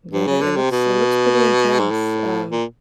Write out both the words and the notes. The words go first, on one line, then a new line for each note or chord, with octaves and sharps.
Yeah, th it looks it looks pretty intense. Um,
G2
C#3
D3
C3
B2
G#2
A2
A#2